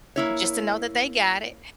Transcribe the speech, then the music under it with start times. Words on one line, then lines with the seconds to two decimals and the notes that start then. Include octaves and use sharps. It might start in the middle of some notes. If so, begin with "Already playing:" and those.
just to know that they got it,
0.16 A#3 E4 C#5